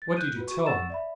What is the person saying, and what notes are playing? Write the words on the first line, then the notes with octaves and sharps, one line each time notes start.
"What did you tell him?"
A6
F#6 G6 D#7
F4 F#4 B4
F#4 C#6
F#5 C#6 E6 A6 E7
D5 E5 B5